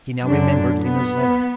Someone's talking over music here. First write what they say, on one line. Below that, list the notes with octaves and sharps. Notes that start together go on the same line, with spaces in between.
He now remembered Lena's letter.
F#2 D3 F#3 D4
B3